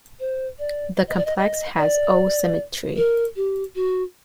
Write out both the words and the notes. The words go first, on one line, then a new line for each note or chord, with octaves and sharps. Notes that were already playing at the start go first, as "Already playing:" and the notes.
The complex has O symmetry.
C5
D5
D#5
D5
D#5
D#5
D5
A#4
G4
F#4